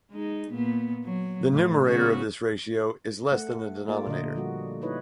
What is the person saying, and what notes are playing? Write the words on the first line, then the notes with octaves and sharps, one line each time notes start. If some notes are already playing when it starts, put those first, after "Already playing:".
The numerator of this ratio is less than the denominator.
G#3 D#4
A#2 B3
F#3
A2
C#3 B3 F#4
A3 F#5
A3 A#3 F4 D5
A#2 D3 D#5
F3 G3 F#4
D#4 E4 B4 C#5 D#5